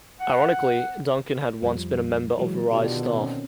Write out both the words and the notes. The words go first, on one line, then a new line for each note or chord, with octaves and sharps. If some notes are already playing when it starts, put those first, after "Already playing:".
Ironically, Duncan had once been a member of Wrye's staff.
F#5
F2 F3 G3
E3 F#3 G#3
B2 D3 D#3 F4 G4 D5
C4 C#4